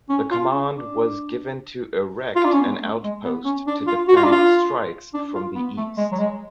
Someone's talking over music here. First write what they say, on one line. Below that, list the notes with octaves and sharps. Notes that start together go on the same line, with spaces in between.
The command was given to erect an outpost to defend strikes from the east.
C#4
F4
C#4
D4
F4
D4
C#4
B3
A3
G#3
B3
C#4
D4
F4
F#4
F4
D4
F4
D4
F4
B3
A3
G#3
F#3
G#3